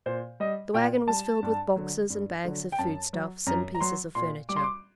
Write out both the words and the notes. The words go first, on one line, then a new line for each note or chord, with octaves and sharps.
The wagon was filled with boxes and bags of food stuffs and pieces of furniture.
A#2 C5
G3 D#5
A#2 G5
G3 A5
G2
D3 F#3
G2
D3 F#3
G5
F#2 A5
F#3
F#2 A#5
A#5
F#3 C6
A#2 C6
G3 D6
C6
D6